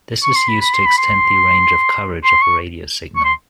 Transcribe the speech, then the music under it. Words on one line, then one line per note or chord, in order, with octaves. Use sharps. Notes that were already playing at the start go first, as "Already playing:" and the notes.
This is used to extend the range of coverage of a radio signal.
C#6
C6
B5
B5
C6
B5
C6
C6
C#6
C#6
C6